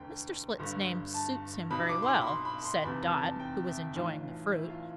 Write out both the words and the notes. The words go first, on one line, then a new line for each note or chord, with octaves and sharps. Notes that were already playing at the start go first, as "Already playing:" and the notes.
"Mr. Split's name suits him very well," said Dot, who was enjoying the fruit.
Already playing: E1 D2 D3 G5
G1 G2 D3
A5
B1 B2 B5
D6
C6
D6
B5
C6
B5
C6
F1 E2 C3 B5
A5
G5
E5
B1 A2 E3 F4
E4
F4